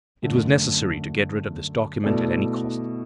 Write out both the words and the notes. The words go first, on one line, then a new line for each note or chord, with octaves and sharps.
It was necessary to get rid of this document at any cost.
F#2 D3 A3
B2 A3 E4 A4 D5